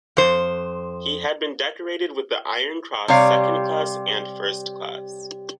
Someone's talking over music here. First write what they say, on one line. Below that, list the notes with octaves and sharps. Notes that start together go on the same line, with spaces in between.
He had been decorated with the Iron Cross Second Class and First Class.
F2 C5
C3 G3 C#5 F5